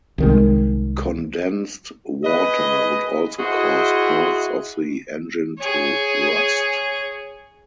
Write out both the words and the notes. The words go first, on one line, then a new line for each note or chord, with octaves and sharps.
Condensed water would also cause parts of the engine to rust.
C2 D#3 G#3
G#4 B4 D#5
E4 F#4 G#4 C5 D#5
G#4 C#5